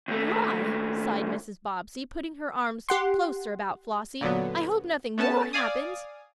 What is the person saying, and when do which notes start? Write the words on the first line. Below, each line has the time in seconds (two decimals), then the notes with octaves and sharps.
"My!" sighed Mrs. Bobbsey, putting her arms closer about Flossie, "I hope nothing more happens."
0.08 D#2 A3
2.89 G4 F#5 C6
4.21 A#2 D3 F#3 B3
5.18 A3 B3 C#4 A5
5.53 D5 F5 G#5 D#6